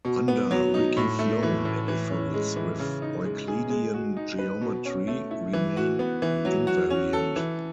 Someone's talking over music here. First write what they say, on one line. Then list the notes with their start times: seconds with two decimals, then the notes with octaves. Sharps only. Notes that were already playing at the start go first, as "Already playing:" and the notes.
Under Ricci flow manifolds with Euclidean geometry remain invariant.
0.05 B2
0.28 B3
0.51 F#3
0.74 D#4
0.97 A2
1.19 A3
1.43 E3
1.65 A2
1.88 E3
2.10 C#4
2.34 G#3
2.56 E3
2.79 C#3
3.02 D#4
3.25 G#3
3.48 G#4
3.70 G#3
3.94 F#4
4.17 D#4
4.39 B4
4.61 B2
4.85 C#4
5.08 A3
5.31 E4
5.53 E3
5.77 F#4
5.99 B3
6.22 E3
6.45 F#3
6.67 F#4
6.90 C#4
7.13 A4
7.36 E3